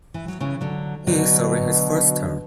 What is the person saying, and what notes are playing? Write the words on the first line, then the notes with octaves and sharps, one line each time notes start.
He is serving his first term.
E3
F#3
C#3 E3
D3 F#3
B2 D3 F#3